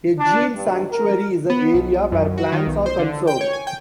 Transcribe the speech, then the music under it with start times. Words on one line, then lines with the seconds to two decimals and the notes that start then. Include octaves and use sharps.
A gene sanctuary is an area where plants are conserved.
0.19 D4
0.56 G2
0.92 A#4
1.50 B3
1.74 B1
2.12 F#2
2.38 F#4
2.52 D#3
2.67 B1
2.86 C5
2.99 D3
3.27 G5
3.41 C#5
3.53 G#5
3.67 G5